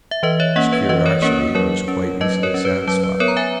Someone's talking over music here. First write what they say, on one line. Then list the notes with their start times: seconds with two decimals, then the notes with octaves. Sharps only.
His curiosity was quite easily satisfied.
0.11 E5
0.23 E3 B4 D#5
0.40 C#5 E5
0.56 A#3 C#4 D#5 F#5
0.72 B4 D#5
0.89 E3 B4 D#5
1.06 A#4 C#5
1.22 A#3 C#4 A#4 C#5
1.55 F#3 A#4 C#5
1.88 C#4
2.21 F#3 B4 D#5
2.43 A#4 C#5
2.54 C#4
2.65 B4
2.87 F#3 B4
3.04 B4
3.20 B3 A#4 C#5
3.28 A#5
3.37 E5 G#5